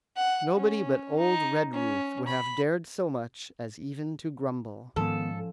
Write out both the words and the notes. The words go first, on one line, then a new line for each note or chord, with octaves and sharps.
Nobody but old Redruth would have dared so much as even to grumble.
F#5
C#4
D#4
C#4
B5
G#2 D#3 F3 B3 C#4 A4